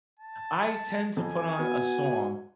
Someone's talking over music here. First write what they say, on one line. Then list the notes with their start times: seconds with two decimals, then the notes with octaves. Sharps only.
I tend to put on a song
0.19 A5
1.17 F2 G#5
1.59 B3 F#4